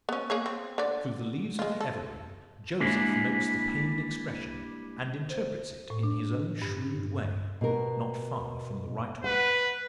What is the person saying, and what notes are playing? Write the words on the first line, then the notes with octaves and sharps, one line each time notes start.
Through the leaves of the evergreen Joseph notes the pained expression, and interprets it in his own shrewd way--not far from the right one.
B3 C#4
A#3 G#4 C#5
C4
D3 D5
G#3 F4
A4
G3 G#3 A#3 D4 E4
C5
A2
D4
G2
B2 A#4
B4 F#5